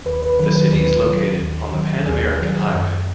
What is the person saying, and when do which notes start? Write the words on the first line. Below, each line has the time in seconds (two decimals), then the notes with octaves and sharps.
The city is located on the Pan-American Highway.
0.05 D#2 B4
0.23 B4
0.39 D#3 F#3 B4
0.55 B4
0.72 D#2 B4
1.06 D#3 F#3
1.39 D#2
1.72 D#3 F#3
2.06 D#2 G#4
2.39 D#3 F#3
2.73 F#2